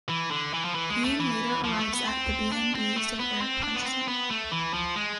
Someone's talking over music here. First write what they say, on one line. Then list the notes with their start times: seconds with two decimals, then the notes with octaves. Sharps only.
Ian later arrives at the B and B so Eric punches him.
0.09 E3
0.31 D3
0.54 E3
0.65 F3
0.75 E3
0.90 G#3
1.04 A3
1.19 E3
1.64 F3
1.79 A3
1.93 B3
2.08 C4
2.52 D4
2.75 C4
2.96 A3
3.20 B3
3.41 C4
3.63 D4
3.74 B3
3.85 C4
4.08 B3
4.30 A3
4.51 E3
4.74 F3
4.96 G#3